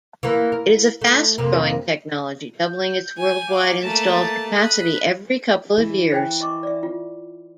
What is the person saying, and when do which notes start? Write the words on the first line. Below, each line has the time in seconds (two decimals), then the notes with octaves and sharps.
It is a fast-growing technology doubling its worldwide installed capacity every couple of years.
0.23 E3 A#3
0.52 A#4
1.01 A3
1.38 F2 C3 A#3
2.62 G6
3.18 G#5
3.48 F5 D6
3.83 A3 A#3 A5 E7
4.14 A6
4.56 B5 D#6 F#6
5.78 E3
6.12 C5 G5 G#5
6.40 D#5 C#6 D6
6.63 D5 E5
6.83 F4